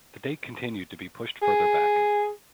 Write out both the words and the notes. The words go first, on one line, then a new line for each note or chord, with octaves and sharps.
The date continued to be pushed further back.
G#4